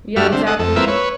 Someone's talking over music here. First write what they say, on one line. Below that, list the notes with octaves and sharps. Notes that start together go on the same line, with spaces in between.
Yeah, exactly.
G2 G3 F#4 E5 F6
D3 C4
A4 D#5 F#5
F2 A4
A#3 C4 E4 F4 B4 E5
B4 C#5